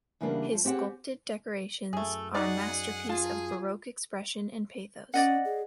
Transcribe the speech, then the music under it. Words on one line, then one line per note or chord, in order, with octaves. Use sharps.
His sculpted decorations are a masterpiece of baroque expression and pathos.
E2 C#3 E3 G3 A#3 D4
F3
C4 G4 G#4 F#5
F#2 A3 G#4
D#4 F#4 G#4 D5 F#5
F4 G#4 A5
C#4 D5 D#5 F#5
G#4